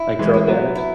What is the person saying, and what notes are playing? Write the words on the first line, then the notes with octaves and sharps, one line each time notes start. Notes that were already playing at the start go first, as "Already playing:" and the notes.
Like, drug addicts,
Already playing: E4
E3 G#3
E4
F#3 B3
E4